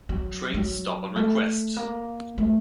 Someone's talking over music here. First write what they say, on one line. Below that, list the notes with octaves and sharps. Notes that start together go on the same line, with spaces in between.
Trains stop on request.
F#3
F#3
A3
A#3
A3